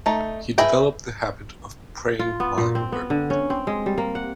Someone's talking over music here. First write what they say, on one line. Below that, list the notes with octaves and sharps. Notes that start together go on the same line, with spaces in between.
He developed the habit of praying while he worked.
A3 D#4
G#4 B4 D#5 E5 G5
F4
B3
A#2
C4
B3
D3
C#4
C4
G#3
G3
A#3
F#5